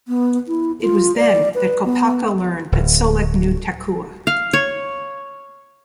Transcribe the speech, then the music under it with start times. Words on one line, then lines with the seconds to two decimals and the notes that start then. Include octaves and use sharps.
It was then that Kopaka learned that Solek knew Takua.
0.08 B3
0.48 E4
0.81 F4
1.17 D5
1.54 B4
1.85 B3
2.72 D1
4.27 F5
4.53 C#5